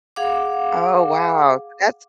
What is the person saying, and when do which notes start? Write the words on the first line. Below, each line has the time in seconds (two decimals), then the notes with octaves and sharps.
Oh, wow. That's
0.16 G#4 F5 F#5 D6